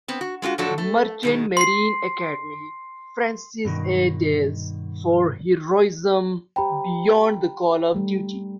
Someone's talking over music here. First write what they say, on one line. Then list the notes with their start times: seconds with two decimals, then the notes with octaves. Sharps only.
Merchant Marine Academy, Francis A. Dales for "Heroism beyond the call of duty".
0.08 B3 C4
0.21 F#4
0.42 G#3 A3 F4 F#4
0.58 A2 F3 F#3 D4 F#4 A4
0.78 A3
1.23 B2 D#3 G#3
1.57 C6 C7
3.65 G2 B2 D#3
6.56 G4 C5 G5 A#5 B5
7.95 G3 A3